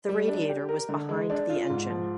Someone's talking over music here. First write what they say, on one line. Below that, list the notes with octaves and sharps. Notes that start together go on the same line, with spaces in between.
The radiator was behind the engine.
G3
D4
G4
A#4
D3
G#3
D4
F4
G#2
F3